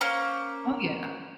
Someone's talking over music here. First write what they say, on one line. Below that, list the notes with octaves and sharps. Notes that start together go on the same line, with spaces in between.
Oh, yeah.
A#3 C#4 C5